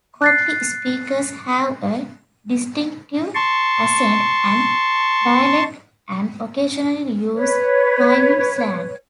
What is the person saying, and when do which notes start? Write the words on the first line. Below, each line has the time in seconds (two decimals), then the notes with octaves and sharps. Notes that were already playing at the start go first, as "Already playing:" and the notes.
Cockney speakers have a distinctive accent and dialect, and occasionally use rhyming slang.
0.22 F#6 A6 C7
3.35 A5 C6 C#6
7.34 B4 C#5